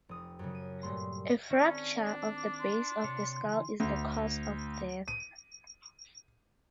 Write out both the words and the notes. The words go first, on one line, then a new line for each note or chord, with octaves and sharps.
A fracture of the base of the skull is the cause of death.
F1 D#6
F#2 C#3
D#7
G2 A#2 A3 C6
D#3 C4 C#4 A4 D5
D4
D6
C6
C3 C#5
C#3 E3 G#5
D2
D#7